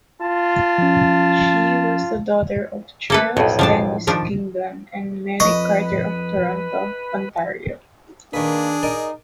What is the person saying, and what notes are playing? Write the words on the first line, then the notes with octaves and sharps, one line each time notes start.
She was the daughter of Charles Dennis Kingdon and Mary Carter of Toronto, Ontario.
F4 A5
F3 C#4
A#3 A4 B4
B1 F2 A2
F3 D4 A5
D#3 F3 D4
B1 F2 B4 D#5 C#6
D#3 A#3 D4 G#4 B4
D#4 A#4 D5 D#5